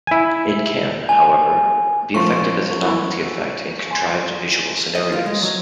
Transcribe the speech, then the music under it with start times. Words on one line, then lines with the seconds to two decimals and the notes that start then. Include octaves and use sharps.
It can, however, be effective as a novelty effect in contrived visual scenarios.
0.07 E4 G#5
1.09 G#5
2.14 F3 A3 C#4 A4 A#4 C6 C#6
2.83 E3 B3
3.90 G#5 C6
4.95 D#5
5.12 F4
5.26 G#3
5.42 F#3